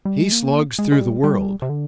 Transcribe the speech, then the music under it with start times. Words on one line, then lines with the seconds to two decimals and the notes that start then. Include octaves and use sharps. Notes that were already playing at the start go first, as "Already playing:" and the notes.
He slogs through the world.
0.05 G3
0.19 G#3
0.32 A#3
0.79 G#3
0.92 G#3
1.01 G3
1.24 G3
1.62 C3
1.69 D3